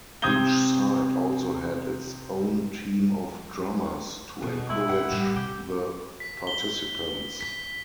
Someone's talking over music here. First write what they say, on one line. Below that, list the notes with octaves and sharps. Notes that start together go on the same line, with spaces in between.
Each side also had its own team of drummers to encourage the participants.
C3 C4 D#6 G6 G#6 G7
B2 C#4
G#3 E4
G4 F#5
A2 G3
C3 G4
B6
G7
B6